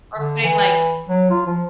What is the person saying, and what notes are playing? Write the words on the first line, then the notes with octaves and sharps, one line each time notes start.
or putting, like,
D3
E3
F#3
F4
F3